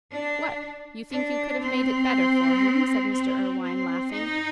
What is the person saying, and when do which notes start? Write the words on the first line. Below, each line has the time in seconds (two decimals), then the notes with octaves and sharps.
"What! you think you could have made it better for him?" said Mr. Irwine, laughing.
0.12 D4
1.11 D4
1.61 C4
3.12 C4
3.62 C4
4.11 D#4